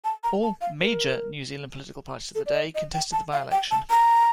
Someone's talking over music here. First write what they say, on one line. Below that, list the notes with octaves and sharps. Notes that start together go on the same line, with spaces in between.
All "major" New Zealand political parties of the day contested the by-election.
A5
A#5
A5
F5
A#4
A4
D5
D#5
D#5
G5
A5
F5
G5
A5
A#5